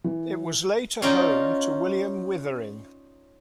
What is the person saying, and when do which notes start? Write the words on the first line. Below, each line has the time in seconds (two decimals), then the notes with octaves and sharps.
It was later home to William Withering.
0.04 E3
1.02 C#4 D#4 F4 D5 G5 A#5